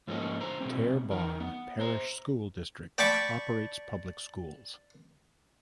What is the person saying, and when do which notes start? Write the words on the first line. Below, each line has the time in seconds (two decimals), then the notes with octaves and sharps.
Terrebonne Parish School District operates public schools.
0.08 G#2 F3 A#3 C#4 D#4 A4
0.40 D3 C5 A#5
0.60 B2 D3 E3 G3 C4
1.11 E3 D#4 A#4
1.40 B3
1.80 C5 A#5
2.98 D5 G5 A5 B5 C#6 D6